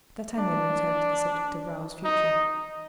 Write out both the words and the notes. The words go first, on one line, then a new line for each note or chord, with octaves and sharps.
D'Artagnan returned to the subject of Raoul's future.
D4
D#4